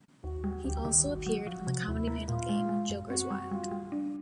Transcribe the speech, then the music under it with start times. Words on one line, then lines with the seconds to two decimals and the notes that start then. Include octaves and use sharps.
He also appeared on the comedy panel game "Jokers Wild".
0.24 D#2 F#4
0.44 G3
0.65 D2 G4
0.85 D#3
1.06 G1 F#4
1.26 F#3
1.47 F3
1.67 C3
1.88 D#2 E4
2.07 A#3
2.28 A#2 F4
2.49 G#3
2.69 G#3
2.90 F#2
3.10 C4 F#4
3.31 G3
3.50 G3 F4
3.71 G3
3.92 D4